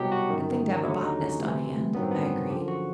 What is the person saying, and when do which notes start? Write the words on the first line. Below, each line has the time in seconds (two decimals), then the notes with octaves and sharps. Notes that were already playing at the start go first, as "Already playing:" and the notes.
"Good thing to have a botanist on hand," I agreed.
Already playing: C2 B2 F#3 G4
0.12 F#4
0.30 G1 F#2 D#3
0.84 D#2 D3 F#3 E4
1.03 D#4
1.21 C#4
1.39 D2 C3 E3
1.94 A1 G2 D#3 F#3 B3
2.03 C4
2.11 B3
2.22 C#4
2.50 F#2 D3 F3 G4
2.68 F#4